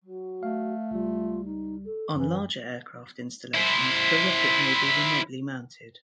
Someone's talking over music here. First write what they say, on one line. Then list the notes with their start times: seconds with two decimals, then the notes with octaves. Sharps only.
On larger aircraft installations the rocket may be remotely mounted.
0.03 F#3
0.43 A3 F5
0.91 C#2 G3 F4
1.45 D#4
1.85 A4
2.14 F#2 E3 C#4
3.55 E4 C5